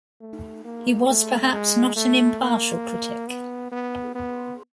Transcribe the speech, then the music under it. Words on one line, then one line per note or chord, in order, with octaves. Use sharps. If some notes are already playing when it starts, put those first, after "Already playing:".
He was perhaps not an impartial critic.
A3
A#3
A3
G#3
A3
A#3
B3
B3
B3